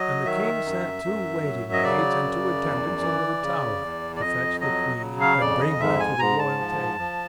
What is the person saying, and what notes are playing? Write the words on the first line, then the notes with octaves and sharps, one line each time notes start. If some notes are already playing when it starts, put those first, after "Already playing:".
And the king sent two waiting-maids and two attendants into the tower, to fetch the queen and bring her to the royal table.
Already playing: F#3 D#5
D#3 E5
F#2
F#2
F#3
D#5
C#3 D5
F#2
E2
E3
C#3
E2
D5
F2 D#5
F#3 D#5
C#3
F5
F2 D5
D#5
G#2 E5
G#5
G#2 A#5
A5
F3
F3